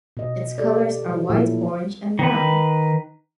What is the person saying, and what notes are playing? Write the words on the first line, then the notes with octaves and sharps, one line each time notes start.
Its colors are white, orange, and brown.
B2 D#5
G4 A4 D5
F#3
A#2 F3 A3 E4
D#3 B4